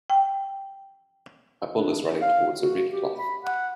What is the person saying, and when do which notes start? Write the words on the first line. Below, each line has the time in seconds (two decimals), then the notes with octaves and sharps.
A bull is running towards a red cloth.
0.10 G5
1.77 D4
2.22 F5
2.62 F#4
2.91 G4
3.18 B5
3.45 F#5